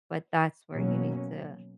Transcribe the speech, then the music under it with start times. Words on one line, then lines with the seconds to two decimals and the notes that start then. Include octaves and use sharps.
but that's where you need to
0.74 B2 F#3 A#3 C#4